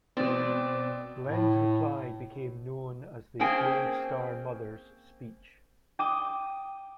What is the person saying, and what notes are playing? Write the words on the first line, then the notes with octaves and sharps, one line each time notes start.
Glenn's reply became known as the "Gold Star Mothers" speech.
B2 C4 D5
A2
A#3 C4 C#4 G#4 G5 G#5
G5 D6 D#6 D#7